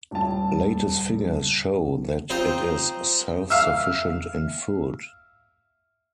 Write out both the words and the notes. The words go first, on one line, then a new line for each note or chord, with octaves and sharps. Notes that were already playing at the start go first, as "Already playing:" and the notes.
Latest figures show that it is self-sufficient in food.
D#1 A5
C4 D#4 F4 C5 D#5 A#5
E5 F5